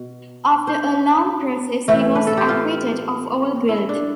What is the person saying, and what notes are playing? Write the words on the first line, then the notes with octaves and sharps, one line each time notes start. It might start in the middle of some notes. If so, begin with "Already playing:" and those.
After a long process he was acquitted of all guilt.
Already playing: B2
C5
A2 E3 A3
B4
A4
G4
F4
E4
D4